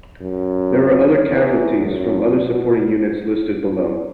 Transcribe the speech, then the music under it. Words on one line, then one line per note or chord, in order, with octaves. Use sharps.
There were other casualties from other supporting units listed below.
F#2
E2
F#2
B2